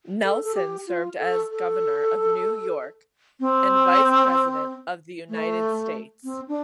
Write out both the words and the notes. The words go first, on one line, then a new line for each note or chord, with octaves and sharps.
Nelson served as Governor of New York and Vice President of the United States.
A4
A4
G4
F4
A4
A4
C4
A3
C4
D4